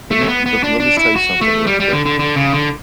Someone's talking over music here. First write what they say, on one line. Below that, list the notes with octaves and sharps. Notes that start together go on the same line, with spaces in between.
Let me le let me s tell you something real quick,
A3
C#4
B3
B3
D4
D4
E4
F#4
A3
G3
G3
D3
D3
D3
C#3
D3